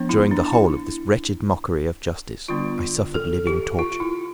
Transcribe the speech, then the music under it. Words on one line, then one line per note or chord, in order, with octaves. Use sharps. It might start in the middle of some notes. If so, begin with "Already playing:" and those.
During the whole of this wretched mockery of justice I suffered living torture.
Already playing: F3 B3 D4
E4
D4
E4
D3 G3 B3 D4 F4
A4
G4
F4
E4